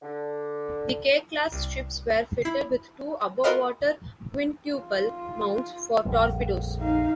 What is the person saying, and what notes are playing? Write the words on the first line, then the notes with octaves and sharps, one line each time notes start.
The K-class ships were fitted with two above-water quintuple mounts for torpedoes.
D3
C2
E4 C7
F4 F#4 A#4 B4 D#5 F5
F4
A#1 F2 G3
D#4 F5